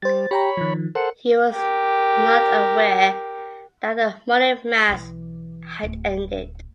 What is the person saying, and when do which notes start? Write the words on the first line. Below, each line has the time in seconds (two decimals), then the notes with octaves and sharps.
He was not aware that the morning Mass had ended.
0.02 G3 C5 A6
0.31 G4 C#5 G5 A#5 B5
0.57 D#3 F3
0.95 A4 A#4 C5 F#5 C#7
1.53 G4 A#4
4.89 B1 E3
5.83 D1